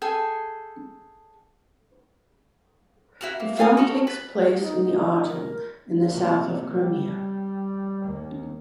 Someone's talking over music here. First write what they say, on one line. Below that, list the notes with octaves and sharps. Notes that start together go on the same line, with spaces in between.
The film takes place in the autumn in the south of Crimea.
G#4 A4 G5 G#5
E4 F#4 A#4
A#3
E5 F5 G#5 D#6
F#4 A4 A#4
B4
D#4
A#4
C3 A#3
G3
D#2 A#3